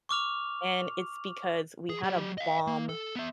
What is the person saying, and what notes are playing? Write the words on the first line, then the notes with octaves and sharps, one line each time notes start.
And it's because we had a bomb
C#6 D6 F6 F7
G#4
F#3 G4
D#5 F5
A#3
A4
B3 E5